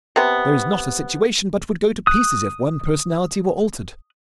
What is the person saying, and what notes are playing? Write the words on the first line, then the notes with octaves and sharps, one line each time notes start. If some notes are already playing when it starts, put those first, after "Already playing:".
There is not a situation but would go to pieces if one personality were altered.
C3 B3
D#6 F#6